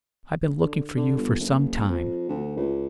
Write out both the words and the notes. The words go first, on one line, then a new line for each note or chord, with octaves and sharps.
I've been looking for you for some time.
D3
D3
G1
F#1
F2
D2
C#2